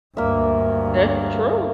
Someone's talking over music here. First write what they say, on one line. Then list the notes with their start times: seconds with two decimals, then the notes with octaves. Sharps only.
That's true.
0.17 D2 G2 A#3 E5